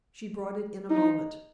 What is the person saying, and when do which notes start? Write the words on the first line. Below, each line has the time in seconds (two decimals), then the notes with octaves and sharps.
She brought it in a moment.
0.90 D#4